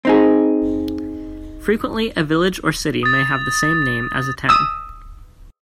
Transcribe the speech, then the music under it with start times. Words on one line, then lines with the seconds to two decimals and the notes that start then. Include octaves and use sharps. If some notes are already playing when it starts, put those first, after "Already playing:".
Frequently a village or city may have the same name as a town.
0.05 C4 D#4 G#4
3.03 D#6 A6
4.49 D#6 E6